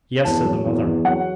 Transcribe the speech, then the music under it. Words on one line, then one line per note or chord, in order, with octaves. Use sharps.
"Yes," said the mother.
E2 A5
F#3
E2
E2
F#3 F#5